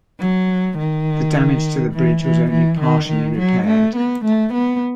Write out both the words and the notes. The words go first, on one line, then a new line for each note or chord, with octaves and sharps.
The damage to the bridge was only partially repaired.
F#3
D#3
E3
E3
E3
D#3
D#3
F#3
A3
B3
A3
B3